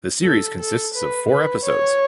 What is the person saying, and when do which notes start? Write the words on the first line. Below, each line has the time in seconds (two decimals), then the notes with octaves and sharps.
The series consists of four episodes.
0.24 A4
0.60 A4
0.95 B4
1.29 B4
1.64 C#5